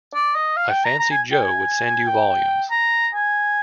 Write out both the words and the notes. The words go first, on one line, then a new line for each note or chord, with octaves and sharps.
I fancied Jo would send you volumes.
D5
D#5
F5
G5
A#5
A#5
G#5
G5
G#5
G#5
G5
A#5
G#5